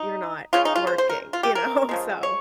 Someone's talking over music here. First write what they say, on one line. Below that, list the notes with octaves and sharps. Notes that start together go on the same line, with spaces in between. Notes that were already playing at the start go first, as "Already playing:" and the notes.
you're not working. You know? So,
Already playing: D#4
C#3 G#3 C#4 F4
D#4
F4
C5
C5
A#4
F4
G4
A#4
C#3 F3 G#3
C#5